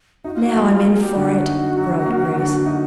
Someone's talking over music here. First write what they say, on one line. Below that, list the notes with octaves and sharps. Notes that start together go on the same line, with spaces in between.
"Now I'm in for it," groaned Grace.
D#4 F#4
F4
F#4
F#3
F4
A#3 G#4
G4
D3 F#4
D#4
F#3
A#3
D3
D#4